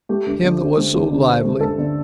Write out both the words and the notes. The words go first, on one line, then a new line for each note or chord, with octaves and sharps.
Him that was so lively!
A3 G4
D2
D3
C4
A3
D2
D3
C4
A3
D2 A4
D3